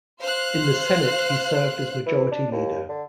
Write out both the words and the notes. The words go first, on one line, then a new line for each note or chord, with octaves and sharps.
In the Senate, he served as Majority Leader.
C5 F5 F#6
E3
D4
D#2
D3